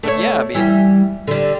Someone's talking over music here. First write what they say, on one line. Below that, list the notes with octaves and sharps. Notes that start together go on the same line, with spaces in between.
But, yeah, I mean,
A3 C#5
E3 G3
D3 G3